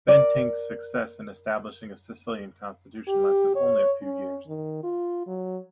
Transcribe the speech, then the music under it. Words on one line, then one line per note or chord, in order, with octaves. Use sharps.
Bentinck's success in establishing a Sicilian constitution lasted only a few years.
A#4 D5
G4
C#5
C#4
D#3
F4
F#3